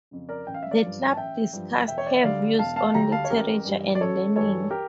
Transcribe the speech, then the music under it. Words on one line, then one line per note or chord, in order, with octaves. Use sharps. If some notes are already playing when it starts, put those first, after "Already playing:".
The club discussed her views on literature and learning.
F2 C#3
A#4 D5
A1 G5
F5
E5
D5 F5
G2 F3
A5
A1 E5 G5
G2 F3
E1 E5 G5
C#5
D5
E5
D2 D3 G3 D5 F5
E1 F5 A5
F5 A5
D2 D3 G3 G5 A#5
F5 A5
C#5
A1 G4 A#4
G2 E3 G3
D5
A1 A4 C#5
G2 E3 G3 A4 C#5
G4 A#4